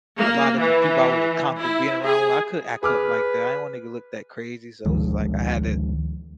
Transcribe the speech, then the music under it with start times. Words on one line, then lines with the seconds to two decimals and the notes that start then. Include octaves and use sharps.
a lot of different people I wasn't comfortable being around with, I couldn't act up like that, I didn't wanna go look that crazy, so, it was just like, I had to
0.19 A#3
0.59 E3
1.60 E4
2.04 G#4
2.83 G#4 B4 D6 F6
4.86 D2 D#3 F3 G#3